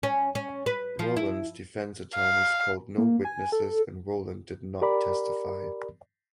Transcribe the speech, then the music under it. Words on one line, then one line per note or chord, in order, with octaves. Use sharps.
Rowland’s defense attorneys called no witnesses and Rowland did not testify.
C#4
C#4
B4
F3
E4
F5
A#3
G#5
A4
G4 A#4 D5 B5